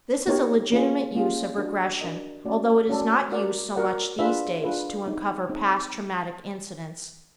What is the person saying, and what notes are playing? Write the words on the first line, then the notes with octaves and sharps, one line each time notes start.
This is a legitimate use of regression although it is not used so much these days to uncover past traumatic incidents.
B3 D#4 G4 A#4 C#5
A#3 C#4 F4 G#4
A#3 C#4 F4 G#4
D4 F#4 A#4 D#5
D4 F#4 A#4 D#5
A3 C#4 F#4 A4 D5
A3 C#4 F#4 A4 D5
F#4 A#4 D5 F#5
F#4 A#4 D5 F#5
D4 F4 G#4 B4 E5
D4 F4 G#4 B4 E5
G#3 C4 D#4
G#3 C4 D#4